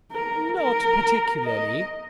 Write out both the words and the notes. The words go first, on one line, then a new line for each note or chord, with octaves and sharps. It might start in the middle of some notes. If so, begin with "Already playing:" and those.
"Not particularly."
A#4
A#4
D#5